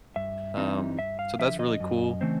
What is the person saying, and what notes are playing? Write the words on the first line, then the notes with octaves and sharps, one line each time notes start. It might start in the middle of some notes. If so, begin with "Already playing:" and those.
um, so that's really cool
G2 E5
E3 G3 C4 D#4
G2 E5
F5
D3 F3 E5
D#5
F#2
C#3 E3 A3 C4